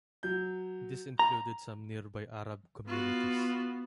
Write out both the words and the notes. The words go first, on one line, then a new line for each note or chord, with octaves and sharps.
This included some nearby Arab communities.
F#3 G6
A#5
B3 F4 F#4